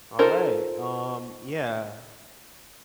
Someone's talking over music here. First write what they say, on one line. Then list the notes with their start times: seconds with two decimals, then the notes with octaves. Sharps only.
Alright, um, yeah.
0.19 D#4 F4 A4 A#4 C5